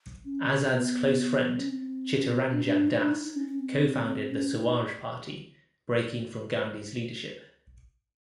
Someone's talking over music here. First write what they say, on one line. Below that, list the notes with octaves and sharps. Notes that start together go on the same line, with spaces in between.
Azad's close friend Chittaranjan Das co-founded the Swaraj Party, breaking from Gandhi's leadership.
C#4
B3
C#4
C4
C#4
B3
C4
D4
D4
D#4
D4
D#4
D#4
C#4
C#4
C4
C4
C#4
D#4